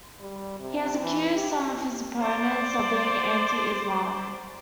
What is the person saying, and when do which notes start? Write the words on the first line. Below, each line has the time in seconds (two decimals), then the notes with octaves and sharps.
He has accused some of his opponents of being anti-Islam.
0.20 G3
0.60 C3
1.01 E3
1.35 G4
2.21 C5 D5